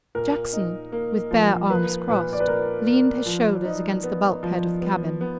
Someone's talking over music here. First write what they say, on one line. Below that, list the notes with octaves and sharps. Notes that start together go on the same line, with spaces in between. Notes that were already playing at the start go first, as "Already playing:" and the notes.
Jackson, with bare arms crossed, leaned his shoulders against the bulkhead of the cabin.
A#2 A#4
D#4
A#3
F3
A#3 B4
A#2 B4
D5
B4
A#3 A#4
A#3
F3
D#4
B3
F3
B3
B3